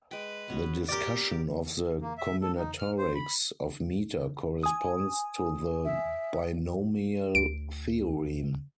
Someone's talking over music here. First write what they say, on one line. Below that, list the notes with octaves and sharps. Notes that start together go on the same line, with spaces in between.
The discussion of the combinatorics of meter corresponds to the binomial theorem.
G#3 B4 G5
B3 C#4 F#4
G4 A#4 D5
A#3
E5
A4
D#4
F6
C5
B5
G#5 D#6
E5
D2 D7